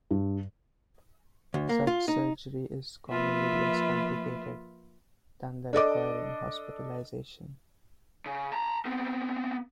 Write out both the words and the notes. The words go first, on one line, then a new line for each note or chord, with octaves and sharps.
Such surgery is commonly less complicated than that requiring hospitalization.
G2
D2
A#3
F4
D#4
F3 A#3 F4 B4 E5
D4 A4 D#5 D6
C#3
A5 A#5
B3 C4